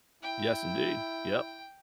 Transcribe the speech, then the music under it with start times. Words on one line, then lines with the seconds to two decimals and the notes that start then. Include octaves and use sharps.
Yes, indeed, yep.
0.23 E4 G5